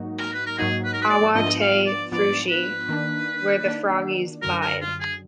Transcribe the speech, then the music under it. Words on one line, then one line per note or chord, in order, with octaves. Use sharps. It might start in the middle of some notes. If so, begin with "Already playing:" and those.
"Awa tae Freuchie where the froggies bide".
Already playing: G#2 F#3 A#3 D#4 F#4
A#4
B4
A#4
G#2 F#3 A#3 D#4 F#4 G#4
B4
A#4
B4
D5
G#2 F3 B3 D4 F4 D#5
F5
D5
G#2 F3 B3 D4 F4 D5
B4
D#3 A#3 D4
D#3 A#3 D4
F#2 D3 F#3 A#4
A#4
F4
G#4